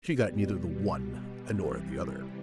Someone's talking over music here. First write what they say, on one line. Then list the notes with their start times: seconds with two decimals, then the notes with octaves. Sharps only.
She got neither the one nor the other.
0.17 B2 G3
1.54 C3 E3 G3